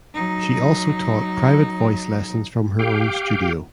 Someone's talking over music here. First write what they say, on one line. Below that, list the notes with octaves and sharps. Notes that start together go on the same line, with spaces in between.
She also taught private voice lessons from her own studio.
F#3 D#4
G4 F5 G5